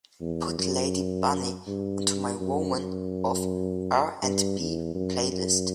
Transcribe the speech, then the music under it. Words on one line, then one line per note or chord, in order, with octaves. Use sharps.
Put lady bunny onto my Women of R&B playlist.
E2
F#2
G2
F#2
F#2
G2
E2
F#2
F#2